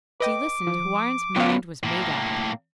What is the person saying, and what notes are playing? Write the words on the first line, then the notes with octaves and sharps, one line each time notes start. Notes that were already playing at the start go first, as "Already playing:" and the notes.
As he listened Houarn's mind was made up.
B4 D#5 G5 D6
F3
B3 C#4 F4 F5 G5
A2 A#3